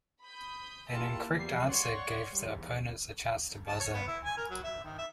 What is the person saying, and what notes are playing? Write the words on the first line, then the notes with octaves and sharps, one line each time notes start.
An incorrect answer gave the opponents a chance to buzz-in.
B5 D#6 G6
A#3 E4 F4 G4 A#4 A5
E2 F3 G3 C7
C#5 D5 F5 F#5 C6 C#6
E2 G#2 G3
A5
C#5
B3
E4
G#5
A#4
F#3
E5
D#3
E5